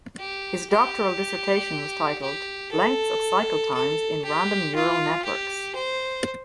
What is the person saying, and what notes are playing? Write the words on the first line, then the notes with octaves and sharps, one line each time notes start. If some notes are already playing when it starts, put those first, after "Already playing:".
His doctoral dissertation was titled "Lengths of Cycle Times in Random Neural Networks".
G4
G4
G4
A4
A4
G4
F4
G4
C5